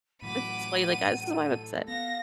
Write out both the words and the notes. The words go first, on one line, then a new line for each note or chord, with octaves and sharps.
like, explain, like, "Ah, this is why I'm upset."
A2 E3 F#3 F#5 B5 D6 D#7
A4
B3 F5 A#6